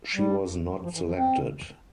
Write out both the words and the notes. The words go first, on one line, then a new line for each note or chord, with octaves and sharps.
She was not selected.
G3
F3
E3
F3
C4